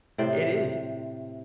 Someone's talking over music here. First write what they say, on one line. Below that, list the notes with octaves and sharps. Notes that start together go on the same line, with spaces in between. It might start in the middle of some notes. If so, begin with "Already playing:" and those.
It is.
A2 C3 C5 D5